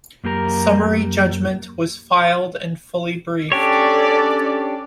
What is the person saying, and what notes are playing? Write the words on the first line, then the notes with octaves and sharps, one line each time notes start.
Summary judgment was filed and fully briefed.
F#2 A#3 G4 A#4 A#5
C#4 D4 G4 A4 C#5 D5